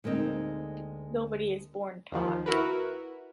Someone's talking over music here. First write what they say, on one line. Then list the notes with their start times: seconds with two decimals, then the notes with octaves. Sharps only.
Nobody is born taught.
0.04 D2 G#3 A#3 C4 D#4
2.12 D#2 D#3 F3
2.46 E4 F#4 A#4 B4